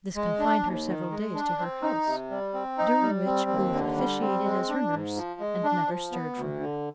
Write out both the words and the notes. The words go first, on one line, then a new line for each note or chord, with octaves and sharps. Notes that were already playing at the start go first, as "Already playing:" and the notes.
This confined her several days to her house, during which Booth officiated as her nurse, and never stirred from her.
G#3
D4
D#2
D#3
G#3
D4
C4
D#4
C3
G3
C4
D#4
G3
C4
D#2
D3
G3
C4
G#3
D4
G#2
F3
G#3
D4
F3
B3
D2
D3